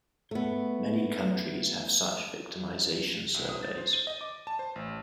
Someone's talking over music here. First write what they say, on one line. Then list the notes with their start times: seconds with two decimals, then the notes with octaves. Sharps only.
Many countries have such victimization surveys.
0.31 A3 B3
3.34 C2
3.49 D#6
3.63 A6
3.78 C5
3.93 D#7
4.07 D#5
4.21 D6
4.47 A5
4.59 C5
4.76 A1